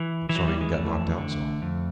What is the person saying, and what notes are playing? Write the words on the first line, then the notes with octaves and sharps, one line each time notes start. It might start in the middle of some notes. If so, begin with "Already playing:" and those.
"I'm sorry you got knocked out so."
Already playing: E3
E3
F#3
G3
G#3
F2 A3
D3
F2